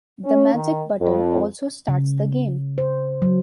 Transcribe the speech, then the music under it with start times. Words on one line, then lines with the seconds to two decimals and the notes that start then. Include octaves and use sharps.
The Magic button also starts the game.
0.25 C#4
0.54 D#3
1.01 F2
1.88 C#3
2.78 C5
3.22 F#3